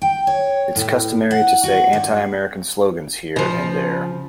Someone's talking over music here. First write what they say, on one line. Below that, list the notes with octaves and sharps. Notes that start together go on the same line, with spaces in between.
It's customary to say anti-American slogans here and there.
G5
C#5
A2
F#5
F#4
G2
C#3 F3